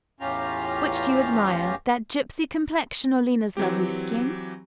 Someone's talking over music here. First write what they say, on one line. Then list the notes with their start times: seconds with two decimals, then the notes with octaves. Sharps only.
Which do you admire--that gypsy complexion, or Lena's lovely skin?
0.20 E2 A2 C#4 F4 G4 A#5
3.57 E3 F#3 C4 G4